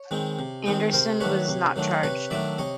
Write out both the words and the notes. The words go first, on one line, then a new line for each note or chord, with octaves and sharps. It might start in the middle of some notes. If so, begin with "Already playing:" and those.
Anderson was not charged.
Already playing: C#5
D#3 G#3 C4 D#4
C3
D#3 G#3 C4 D#4
C3 A#4 C5
D#3 F#3 A3 D4 B4 C#5
C3
D#3 F#3 A3 D4
C3 B4 C#5
D#3 F#3 A3 D4 D5 E5
C3 C#5 D#5